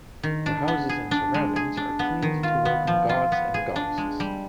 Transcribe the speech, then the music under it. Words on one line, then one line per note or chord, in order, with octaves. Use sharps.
The houses and surroundings are cleaned to welcome gods and goddesses.
D#3
D4
B3
G#4
D4
G#3
G#4
D4
B3
D#3
F4
B3
F3
F4
B3
G#4
D4
G#3
G3